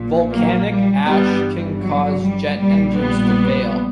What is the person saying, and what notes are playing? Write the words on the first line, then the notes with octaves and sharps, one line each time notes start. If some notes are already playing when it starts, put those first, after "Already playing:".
Volcanic ash can cause jet engines to fail.
Already playing: A#1 A#2
F#3 A#3
G3
G1 G2 E3 G3 B3
F#3
G3
A#1 A#2 G3
G3 B3